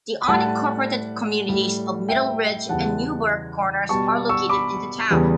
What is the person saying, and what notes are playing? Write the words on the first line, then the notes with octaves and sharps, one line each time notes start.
The unincorporated communities of Middle Ridge and Newberg Corners are located in the town.
B5
A2 G3 F#5 A5
A2 G3
E5 G5
E2 C#3 E3 G3 F#5 A5
B2 G3 A5 C#6
C#6 E6
B5 D6
E2 C#3 E3 G3